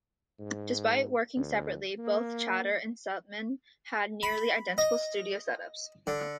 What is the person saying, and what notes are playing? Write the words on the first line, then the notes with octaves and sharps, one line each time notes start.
Despite working separately, both Chater and Seltmann had nearly identical studio set-ups.
G#2
D2
A#3
B5
D#5
D3